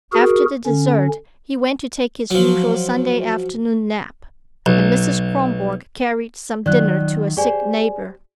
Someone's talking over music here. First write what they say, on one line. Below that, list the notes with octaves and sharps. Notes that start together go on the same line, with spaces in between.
After the dessert he went to take his usual Sunday afternoon nap, and Mrs. Kronborg carried some dinner to a sick neighbor.
F#4 G#4 A#4
D3 C#4
F3 F#3
B1
D#3 F#3 F4 D5 F#6
G4 G#4 C5 D5 G#5